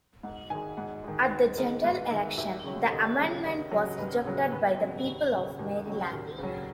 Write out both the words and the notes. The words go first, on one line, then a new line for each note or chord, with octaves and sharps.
At the general election, the amendment was rejected by the people of Maryland.
G#2 F#5
D#3 G#3 G#5
G#2 F#5
D#3 G#3
G#2 B4
D#3 G#3 A#4
G#2 B4
D#3 G#3 E5
D#2 E5
C#3 F#3
D#2 D#5
C#3 F#3
D#2 D#5
C#3 F#3
D#2 B4
C#3 F#3
D#2 B4
C#3 F#3
D#2
C#3 F#3
D#2
C#3 F#3
D#2 A#4
C#3 F#3